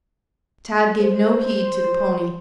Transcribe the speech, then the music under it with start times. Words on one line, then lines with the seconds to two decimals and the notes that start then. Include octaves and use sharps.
Tad gave no heed to the pony.
1.01 C5